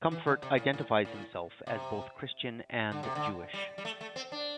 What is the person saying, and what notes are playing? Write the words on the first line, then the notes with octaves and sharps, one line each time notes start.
Comfort identifies himself as both Christian and Jewish.
E3
D3
C3
A2
A2
A2
C3
D3
C3
D3
G3
G3
A3
A3
C4
D4